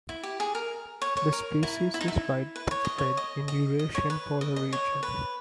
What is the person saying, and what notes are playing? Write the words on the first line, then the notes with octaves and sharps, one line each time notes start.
The species is widespread in the Eurasian polar region.
E4
G4
G#4
A#4
C#5
C#5
A#4
E4
E4
D#4
E4
B4
C#5
D#5
C#5
D#5
D#5
D#5
C#5
B4
D#5
D#5
C#5
B4